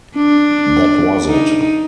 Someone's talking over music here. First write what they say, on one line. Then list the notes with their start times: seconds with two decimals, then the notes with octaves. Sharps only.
That was it.
0.16 D4
1.27 D#4